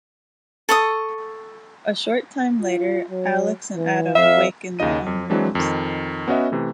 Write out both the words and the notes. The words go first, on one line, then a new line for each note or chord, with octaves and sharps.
A short time later, Alex and Adam wake in their own rooms.
A4 C#6 D#6
F4
F#3
E3
F2 E5 F5
D#2 C#3 D#4 D#5 D#7
F2
E3 F#3 G#3 C4 D4
F2 D#3
B3 C#4 F#4 D#5 E5
C3 E3 A3